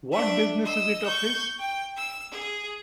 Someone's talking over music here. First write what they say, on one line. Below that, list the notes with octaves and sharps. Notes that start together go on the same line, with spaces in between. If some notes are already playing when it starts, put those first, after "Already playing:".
What business is it of his?
D4 E5
D#5 E6
C#6 G6
G5
E6
G#4